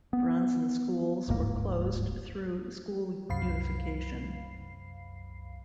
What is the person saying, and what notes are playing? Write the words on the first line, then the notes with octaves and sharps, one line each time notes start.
Bronson schools were closed through school unification.
B3
D1 G1 G#2 A#3
C2 F#2 F5 B5 C7